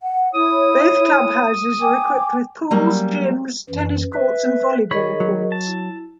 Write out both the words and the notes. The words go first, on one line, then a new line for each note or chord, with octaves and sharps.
Both club houses are equipped with pools, gyms, tennis courts, and volleyball courts.
F#5
E4 C#5 D#6
G5 G#5 D6
F#3 G3 A#3 C#4
F#2 E3
B4 E5
D#3 G#4 A#4 C#5 D#5 B5
F#3
A5
E4